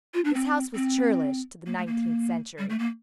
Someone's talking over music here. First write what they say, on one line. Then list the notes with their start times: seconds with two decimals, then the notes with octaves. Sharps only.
This house was churlish to the nineteenth century.
0.14 F4
0.25 D4
0.35 C4
0.75 C4
1.66 A#3
1.77 A3
1.87 A#3
2.59 G3
2.69 A3
2.79 A#3